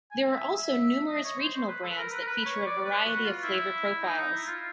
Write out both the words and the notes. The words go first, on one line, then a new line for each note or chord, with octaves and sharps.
There are also numerous regional brands that feature a variety of flavor profiles.
G#5
E5
E5
D#5
C#5
C5
C5
B4
A4
B4
A#4
B4
A#4
B4
C#5
D5
B4
F#4
F4
E4
D#4
D#4
E4
F4